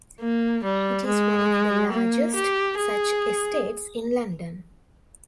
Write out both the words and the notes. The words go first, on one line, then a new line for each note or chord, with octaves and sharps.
It is one of the largest such estates in London.
A#3
G3
G#3
A#3
G4
G#4